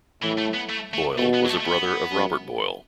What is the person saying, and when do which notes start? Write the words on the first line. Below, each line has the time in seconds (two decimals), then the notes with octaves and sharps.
Boyle was a brother of Robert Boyle.
0.23 A2 E3
0.38 A3
0.54 B3
0.70 A3
0.94 A3
1.17 B2 A3
1.33 B3
1.45 F#3
1.48 A3
1.60 A3
1.64 B3
2.12 F#2